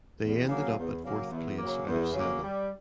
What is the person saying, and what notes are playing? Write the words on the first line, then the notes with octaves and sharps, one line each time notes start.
They ended up at fourth place out of seven.
E2
C#3 F#3 A#3
E2
C#3 F#3 A#3
E2
C#3 F#3 A#3
E2
C#3 F#3 A#3
G3